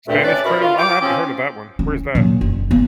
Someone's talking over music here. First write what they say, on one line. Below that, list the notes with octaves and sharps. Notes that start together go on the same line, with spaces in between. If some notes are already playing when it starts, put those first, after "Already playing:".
Spanish Trail? I haven't heard of that one. Where is that?
D2 G2 A#2 A3 C4 E5
C#4 D4 B4 D5
C2 B2 F#4 A#4 E5 B5
F4
G5 D6
F3 C4 C#4
C#4
A#2 F#3
F#1
B3